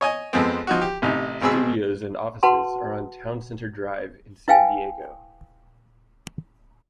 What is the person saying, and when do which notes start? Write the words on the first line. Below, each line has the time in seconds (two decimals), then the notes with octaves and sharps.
Studios and offices are on Towne Center Drive in San Diego.
0.01 C#5 D#5 G#5
0.33 F2 F3 G#3 B3 C4
0.67 F3 D#4 F#4
0.82 G4
1.02 A1 C3 D#4
1.42 G#1 B2 C4 G#4 B5 E6
2.43 F#4 B4 F#5 A5 C6
4.48 E4 B4 F5 G5 G#5